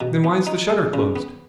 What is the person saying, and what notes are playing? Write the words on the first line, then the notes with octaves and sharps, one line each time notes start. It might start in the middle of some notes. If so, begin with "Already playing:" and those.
"Then why's the shutter closed?"
B2
B3
D#4
G#3
C#3
B3